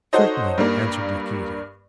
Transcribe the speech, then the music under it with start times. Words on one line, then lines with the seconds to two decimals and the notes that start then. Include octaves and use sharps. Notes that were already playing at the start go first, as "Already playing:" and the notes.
"Certainly," answered Yaquita.
0.13 D#4 F#4 A4 C5 C#5 D#5
0.58 G2 G3 A#3